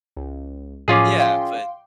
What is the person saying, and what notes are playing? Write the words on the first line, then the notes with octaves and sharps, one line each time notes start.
Yeah, but
C#2
A2 F3 F#3 C#4 F4 G#4 D#5 D6
F5 G5 C6